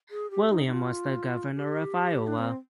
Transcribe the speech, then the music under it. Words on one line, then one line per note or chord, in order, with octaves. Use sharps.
William was the Governor of Iowa.
G#4
G4
D#4
D#4
F4
G4
D4
C4